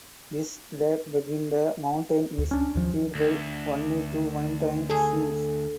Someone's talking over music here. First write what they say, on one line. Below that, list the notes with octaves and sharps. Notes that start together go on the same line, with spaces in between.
This lake between the mountains is fed by only two mountain streams.
D2
C#4 D4
D#2 F3
D2
A3 G#4 A4